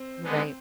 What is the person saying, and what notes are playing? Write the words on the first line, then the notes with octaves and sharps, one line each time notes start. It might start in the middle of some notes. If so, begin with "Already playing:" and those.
N right.
Already playing: C4 C5
D3 G#3 B3 D#4